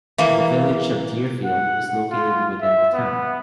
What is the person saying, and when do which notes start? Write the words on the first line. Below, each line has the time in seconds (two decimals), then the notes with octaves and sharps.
The Village of Deerfield is located within the town.
0.18 E3 A#3
1.45 F#5
2.11 F4
2.60 E5
2.93 B3